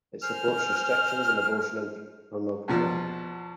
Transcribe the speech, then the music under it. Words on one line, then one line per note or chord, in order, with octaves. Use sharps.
It supports restrictions on abortion and pornography.
C5 G#5 F6
E2 B2 F3